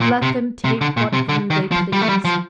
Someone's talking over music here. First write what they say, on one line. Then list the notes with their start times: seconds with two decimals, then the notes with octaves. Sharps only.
Let them take what view they please.
0.01 A#2
0.22 C3
0.65 C3
0.81 D3
0.97 A#2
1.13 C3
1.29 D3
1.50 D#3
1.72 F3
1.93 G3
2.02 A3
2.09 G3
2.25 F3